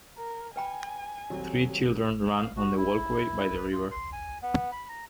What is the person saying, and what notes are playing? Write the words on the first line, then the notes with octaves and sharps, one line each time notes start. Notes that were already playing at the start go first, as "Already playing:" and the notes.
Three children run on the walkway by the river.
A#4
B4 G5 G#5 B5
D#1 F#3 C4
F5
F#4
E4
B4
F4
C6
G#5
B3
B5
A#5